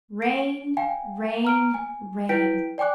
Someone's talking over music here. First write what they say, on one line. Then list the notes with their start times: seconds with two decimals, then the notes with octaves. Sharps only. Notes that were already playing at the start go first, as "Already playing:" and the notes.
Rain, rain, rain!
0.22 D7
0.77 F5 G5 G#5
1.44 A#5 F6 D7
1.74 G#5
2.29 E4 B4 G5 G6 B6 D7
2.78 D5 G5 G#5 D6 F#6